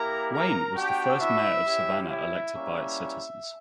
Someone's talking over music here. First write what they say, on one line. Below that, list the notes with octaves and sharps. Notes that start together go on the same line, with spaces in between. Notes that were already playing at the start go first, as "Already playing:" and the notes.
Wayne was the first mayor of Savannah elected by its citizens.
Already playing: A#3 E4 G4 A#4 A#5
A#4 A#5
B3 D4 F#4 G4 G5
E4 E5
C#4 E4 G4
E4 E5
G3 A#3 C#4 E4